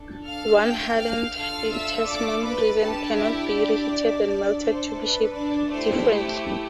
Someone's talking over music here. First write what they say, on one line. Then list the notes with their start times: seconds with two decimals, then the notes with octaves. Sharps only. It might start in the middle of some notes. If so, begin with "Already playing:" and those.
Once hardened a thermoset resin cannot be reheated and melted to be shaped differently.
Already playing: D4 A4
0.25 F5 F6
0.62 G5 G6
0.98 F5 F6
1.34 D4 F4 A4 F5 F6
1.71 E5 E6
2.07 D5 D6
2.44 B4 B5
2.80 D4 G4 A4 A5
3.17 E4 E5
3.53 D4 D5
4.26 D4 A4
4.63 C5
4.99 B4
5.35 D4 D5
5.71 A3 E4 G4 C5